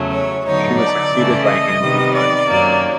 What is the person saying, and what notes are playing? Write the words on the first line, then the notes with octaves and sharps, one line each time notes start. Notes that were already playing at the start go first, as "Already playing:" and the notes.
She was succeeded by Andrew Kania.
Already playing: E2 C#3 F#3 A3
C#5
D3 F#3 B3 D#4 C#5
D5
C#3 E3 A3
D#5
C3 D#3 G3 B3
D5
F#2 D#3 F#3 A#3